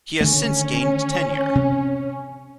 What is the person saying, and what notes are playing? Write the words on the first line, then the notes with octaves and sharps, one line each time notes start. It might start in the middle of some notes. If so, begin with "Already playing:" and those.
He has since gained tenure.
D3 D#3 A3 C#4
C3